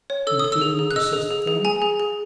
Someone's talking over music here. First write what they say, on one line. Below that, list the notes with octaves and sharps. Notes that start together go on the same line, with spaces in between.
"You do persist, then?"
C#5
A4 E6
A4 D#6
E6
G#4
G#4
F#6
D#5 E6
G#4
G#4
G#4
G#4 G#5
G#4
G#4